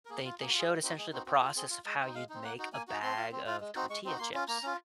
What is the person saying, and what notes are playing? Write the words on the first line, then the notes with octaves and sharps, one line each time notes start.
they they showed essentially the process of how you'd make a bag of tortilla chips,
A#4
A#3 G#4
F4
A#3 G#4
F#4
F4
G#4
G#3
C4 D#4 F#4
G#3 G#4
C4 D#4 F#4
C4 F#4
F4 G#4
C4 G#4
F4
G#3 D#5
C4 D#4
G#3 F5
C4 D#4
A#3 F#5
D#4 F#4
A#3 G#5
D#4 F#4
C4 C6
F4
C4
F4
G#3
C4 D#4 F#4
G#3 C#6
C4 D#4 F#4
A#3 C6
C#4 F4
A#3 A#5
C#4 F4